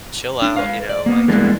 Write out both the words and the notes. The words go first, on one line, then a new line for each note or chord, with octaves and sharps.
chill out," you know, like,
D4
B4 F5
D5
A#3 B3
E3 G3 G#3 A#3 B3 D4